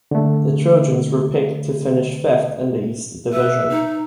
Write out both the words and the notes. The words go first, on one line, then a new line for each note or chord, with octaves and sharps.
The Trojans were picked to finish fifth in the East Division.
D3 A3
B4 E5
D#4